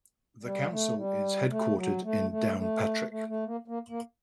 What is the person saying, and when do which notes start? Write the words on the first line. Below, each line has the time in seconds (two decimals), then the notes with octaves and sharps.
The Council is headquartered in Downpatrick.
0.43 G3
0.71 A3
0.96 G3
1.50 A3
1.76 F#3
2.04 A3
2.30 A3
2.58 A3
3.10 A3
3.28 A3
3.46 A#3
3.68 A#3
3.90 A#3